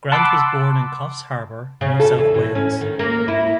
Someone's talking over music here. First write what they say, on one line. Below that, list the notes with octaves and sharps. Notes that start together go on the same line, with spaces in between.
Grant was born in Coffs Harbour, New South Wales.
F#5 A5 B5 C6 D6 E6
C#3
A4
E2
A2
C#4
D#3
A#3
E4